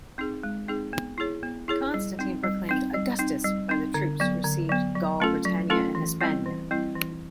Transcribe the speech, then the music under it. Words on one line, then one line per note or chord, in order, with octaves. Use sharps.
Constantine, proclaimed "Augustus" by the troops received Gaul, Britannia and Hispania.
C4 D#4 G#4
G#3
C4 D#4 G#4
B3
E4 G#4 C#5
B3
E4 G#4 C#5
G3
C4 D#4
G3
C4 D#4
G3
C4 D#4
G3
C4 D#4
D3
F#3 B3
D3
F#3 B3
F#3
A3 C#4 F4 A4
F#3
A3 C#4 F4 A4
E3
G3 C4 E4
E3
G3 C4 E4
E3